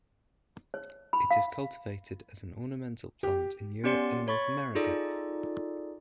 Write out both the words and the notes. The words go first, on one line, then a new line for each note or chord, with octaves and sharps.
It is cultivated as an ornamental plant in Europe and North America.
C#5
B5
F5
G4
B3 C#4 G4 D5 C6 C#7
C#5 B5 C#6 A6
D#4 F4 G#4 A4 D5